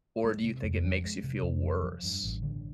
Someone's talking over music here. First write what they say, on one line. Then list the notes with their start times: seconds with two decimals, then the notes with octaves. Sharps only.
or do you think it makes you feel worse?
0.24 G#3
0.44 C3
0.63 F2
0.84 F3
1.04 G#3
1.24 C3
1.43 F2
1.63 F3
1.83 F3
2.03 G2
2.23 A1
2.42 D3